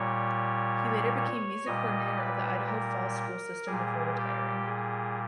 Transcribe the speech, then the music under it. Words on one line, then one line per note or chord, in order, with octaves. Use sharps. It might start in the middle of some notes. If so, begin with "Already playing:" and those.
He later became music coordinator of the Idaho Falls School System before retiring.
Already playing: A#2 G3 C#5
C#5
A#2 G3 D#5
B4
A#4
A#2 G3 G#4
G4
G#4